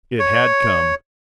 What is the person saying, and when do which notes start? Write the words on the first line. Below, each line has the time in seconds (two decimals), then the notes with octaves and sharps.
It had come!
0.19 C#5